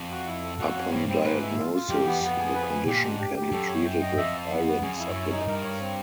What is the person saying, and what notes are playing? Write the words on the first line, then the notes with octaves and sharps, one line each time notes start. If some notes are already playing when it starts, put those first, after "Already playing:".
Upon diagnosis, the condition can be treated with iron supplements.
Already playing: F2
F#4
E4
A4
F2 F#4
C#4
G2 C4
G2 C4
G#2 B4
E4
F4
F4
F2 G4
E2 B3
F2 B3
G#4
B4
G#5
A#2 G4
G#2 D4
G4
G4
F#2 A4
C#5
G5
D#5
F2 E5
A5
B3
B3
F#2 G#4
F2 E4
F#2
C#5
D#4
G2 A#4
C#5
C4